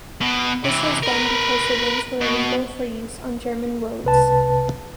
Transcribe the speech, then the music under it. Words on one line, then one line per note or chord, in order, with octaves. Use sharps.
This was done because the wings were illegal for use on German roads.
B2
C3 E3
A#4 B4
B2
C2 C3 B4 A5